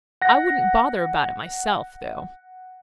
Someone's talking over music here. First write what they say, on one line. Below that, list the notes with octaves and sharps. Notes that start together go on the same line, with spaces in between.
I wouldn't bother about it myself, though.
F#5 A#6